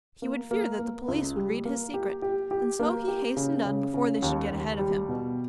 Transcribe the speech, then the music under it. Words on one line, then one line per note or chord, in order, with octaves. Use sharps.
He would fear that the police would read his secret, and so he hastened on before they should get ahead of him.
A#3
A#3
A#3
C#2
G3
A#3
G4
G4
G4
A#3
G4
C#3
C#3
C#3
D#2
D#2
G3
B2